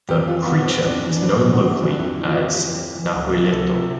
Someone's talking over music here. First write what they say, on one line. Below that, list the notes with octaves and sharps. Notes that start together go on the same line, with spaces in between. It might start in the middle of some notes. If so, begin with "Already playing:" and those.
The "creature" is known locally as "Nahuelito".
F2 G4
E3 F4
F2 B3
B3
E3 C4
F2 D4
E3
D4
F2 C4
E3
B3
F2 C4
E4
E3 D4
D4
F2 E4
E3
F4
F2 G4
E3
F2
E3
D2
C3 F3
D2 A4
C3 F3